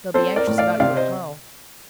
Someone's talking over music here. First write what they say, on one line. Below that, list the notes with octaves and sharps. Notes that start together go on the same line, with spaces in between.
They'll be anxious about you at home.
C4 A4 C5
A#4 D5
A2
D5 F5
C3 D5 F5
C5 D#5